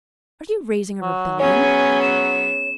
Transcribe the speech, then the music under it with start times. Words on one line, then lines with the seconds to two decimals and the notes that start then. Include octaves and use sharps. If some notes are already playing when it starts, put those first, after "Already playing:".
"Are you raising a rebellion?"
1.02 F#3
1.40 F#3 B3 C#4 G#4 C#5 G#5
2.02 E7